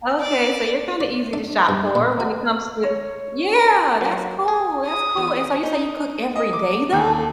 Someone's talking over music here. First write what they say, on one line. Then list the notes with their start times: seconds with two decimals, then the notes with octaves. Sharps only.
Okay, so you're kinda easy to shop for when it comes to yeah, that's cool, that's cool, and so you say you cook every day though?
0.20 D5
1.01 D5
1.33 D4
1.69 G2
1.95 A#2
2.20 F#4
2.84 C#5
4.01 F#3 A#3
4.48 G#4
4.85 D#6
5.17 E2
5.63 D#4
6.36 D#5
6.53 D6
6.93 D#2